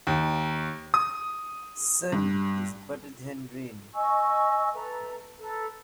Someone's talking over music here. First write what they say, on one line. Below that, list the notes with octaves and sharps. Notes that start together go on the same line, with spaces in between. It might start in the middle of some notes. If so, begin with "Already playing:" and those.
Sun is better than rain.
D#2
D#6
G2
D#5 G#5 C#6 E6
A4 B4 E5 A#5
A4 B4 A#5